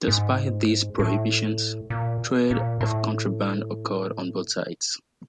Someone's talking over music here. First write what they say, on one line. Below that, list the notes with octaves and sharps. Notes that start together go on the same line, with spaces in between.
Despite these prohibitions, trade of contraband occurred on both sides.
G#2
A2
A#2
A#2
A2